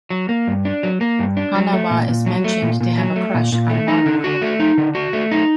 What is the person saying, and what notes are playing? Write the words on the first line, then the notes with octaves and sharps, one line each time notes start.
Hanawa is mentioned to have a crush on Maruko.
F#3
A#3
G2
D4
F#3
A#3
G2
D4
F#3
A3
A#2
A#2
F#3
A3
A#2
A#2
F#3
A3
A#2
A#2
A3
D#4
D3
F#4
A3
D#4
D3
F#4
A3
D#4